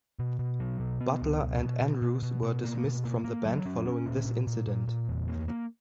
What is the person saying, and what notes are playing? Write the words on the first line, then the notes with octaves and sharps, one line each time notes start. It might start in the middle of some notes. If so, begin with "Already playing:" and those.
Butler and Andrews were dismissed from the band following this incident.
B2
B2
F#3
B2
B3
C#2
B2
B2
B2
B2
B2
B2
A#3
B2
A#3
A#3
F#3
C#4
C#4
A#2
A#2
A#2
A#2
A#2
E2
A#3
A#3